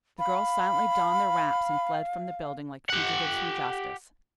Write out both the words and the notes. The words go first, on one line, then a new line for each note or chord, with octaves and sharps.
The girls silently donned their wraps and fled from the building like fugitives from justice.
F5 B5
G4 F#5